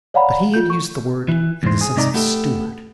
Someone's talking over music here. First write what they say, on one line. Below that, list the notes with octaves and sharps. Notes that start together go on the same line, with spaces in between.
But he had used the word in the sense of Steward.
C#5 D5 F5 F#5 A#5 B5
F4 G6
C#6
E3
E2 G#2 C5
G#4
G#2 C3 D#4 D5 A#5
A3 B3 G4 A4